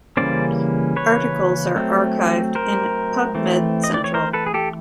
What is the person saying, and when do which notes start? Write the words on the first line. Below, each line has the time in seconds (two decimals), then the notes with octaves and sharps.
Articles are archived in PubMed Central.
0.17 C#3 E3 G3 A#3 C#4 C5 D5
0.96 B4 C#5
1.76 F#3 A3 C4
2.55 A#4 C5
3.35 E3 A3 C4
3.84 D#5
3.94 D5
4.04 C#5
4.14 A#4 C5
4.33 A4 B4
4.46 G#4
4.54 G4 A4